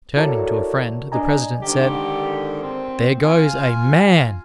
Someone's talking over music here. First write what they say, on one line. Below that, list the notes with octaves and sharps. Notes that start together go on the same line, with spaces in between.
Turning to a friend, the President said, "There goes a MAN!"
E4 F#4 A4 A#4 C#5 D5
D4 D5 D#5 G#5 A#5
G#2 D3 D#3 G4
C4
F4 G#5